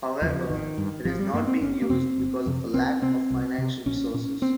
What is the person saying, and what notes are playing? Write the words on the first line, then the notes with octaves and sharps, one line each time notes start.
However, it is not being used because of a lack of financial resources.
D#2 C#3 F3
G#1 D#3
G2
G#1 F3
G3
G2 A#3
C4
G1 C#4
A#3
F2 C3 C4
G1
F2 C3
C2 C4
C3 C4
C2
C3
A#1 C#4
A#2 C#4
C4